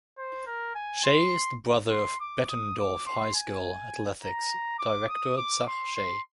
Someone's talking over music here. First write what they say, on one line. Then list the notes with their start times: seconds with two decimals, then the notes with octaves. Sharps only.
Shay is the brother of Bettendorf High School athletics director Zach Shay.
0.17 C5
0.46 A#4
0.75 G#5
1.04 C6
1.91 C6
2.20 D6
2.48 D#6
2.78 D6
3.06 C6
3.35 G#5
4.22 A#5
4.79 D6
5.08 D#6
5.37 D6
5.66 C6
5.95 C6